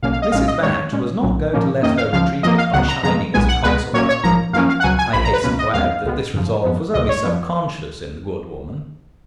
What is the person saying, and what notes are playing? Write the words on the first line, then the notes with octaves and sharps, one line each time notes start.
Mrs. Batch was not going to let her retrieve it by shining as a consoler. I hasten to add that this resolve was only sub-conscious in the good woman.
B1 B2 A#3 C#4 F5
F5
D#5
A#1 A#2 G#3 C#4 F5
D#5
D#2 D#3 G#3 C#5
A#2 G#3 C#4
B1 A#2 F#3
A#2 F3 A#3 C#4
F2 D#3 A#3 C#4 D#5
F5
C#2 C#3 F3 F5
F2 F3 A#3 D#5
F5
C#2 C#3 F#3 B3 F#5
A#5
F2 C#3 G#3 A#5
B1 A#2 G#3 B3 G#5
F#5
C#2 B2 G#3 B3 B4
A#2 F#3 A#3 C#4 C#5
C#5
A#1 G#2 F3 A#3 A#5
F#2 F3 A#3 C#4 F5
F5
F#5
C#2 B2 F#3 G#5
G#5
A#1 A#2 F3 B5
A#5
B4
C#2 B2 A#3 C#4 B4
D#5
D#2 D#3 G#3 B3 F5
C#2 B2 G#3 B3
F#2 C#3 F3
F#2 F3 B3
C#2 B2 G#3 D#5
C#5
F2 F3 B3